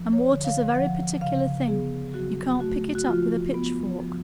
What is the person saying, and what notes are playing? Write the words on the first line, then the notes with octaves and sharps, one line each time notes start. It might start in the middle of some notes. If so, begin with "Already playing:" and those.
And water's a very particular thing; you can't pick it up with a pitchfork.
Already playing: F3
C#5
D3
F5
F3 F#5
C#3 F5
B3 G#4
F#3 F#4
A3 F#4
F#4
F3 F4
B3
F3